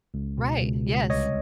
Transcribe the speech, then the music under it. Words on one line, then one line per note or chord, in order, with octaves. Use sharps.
Right, yes.
C#2
B2
C#2
C#2
C2 C#5 D#5